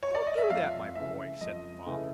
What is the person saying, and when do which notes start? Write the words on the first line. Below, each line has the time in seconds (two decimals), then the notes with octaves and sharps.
"Don't do that, my boy," said the father.
0.03 C#5
0.15 D5
0.27 D#5
0.38 E5
0.50 F2 F5
0.95 C#3 E3 A3 E5
1.41 F2 D#5
1.86 C#3 E3 A3